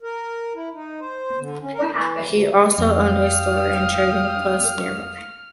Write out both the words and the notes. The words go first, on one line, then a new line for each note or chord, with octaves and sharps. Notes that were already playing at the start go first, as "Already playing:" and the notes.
He also owned a store and trading post nearby.
A#4
E4
D#4
C5
D3
C#4
A#4
E3
D2
F2 F5 G5 D#6 F6